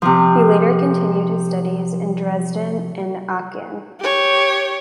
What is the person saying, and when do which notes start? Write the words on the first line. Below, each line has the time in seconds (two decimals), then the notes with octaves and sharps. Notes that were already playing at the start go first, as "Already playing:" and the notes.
He later continued his studies in Dresden and Aachen.
0.02 C3 F3
4.00 G4 C#5